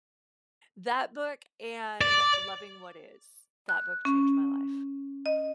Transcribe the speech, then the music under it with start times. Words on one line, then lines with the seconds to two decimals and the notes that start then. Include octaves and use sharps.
that book and Loving What Is that book changed my life.
2.01 D5
3.69 F#6
4.05 C#4
5.26 D#5